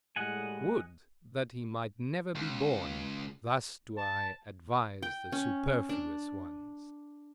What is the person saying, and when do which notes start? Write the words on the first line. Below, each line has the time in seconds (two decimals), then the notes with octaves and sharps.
Would that he might never be born!--Thus do I advise the superfluous ones.
0.16 A2 G3 G#3 D#5 F#5 G#5
2.35 C#2
3.98 A5
5.02 G5
5.32 C#4
5.89 D4